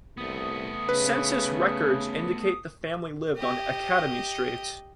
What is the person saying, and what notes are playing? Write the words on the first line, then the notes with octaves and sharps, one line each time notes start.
Census records indicate the family lived on Academy Street.
C2 A3 B3 D#6
C#3 B4
G4 D#5